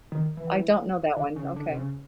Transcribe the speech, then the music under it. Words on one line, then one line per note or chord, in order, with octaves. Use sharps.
I don't know that one, okay.
D#3
E3
D3
C#3
D3
C3
C#3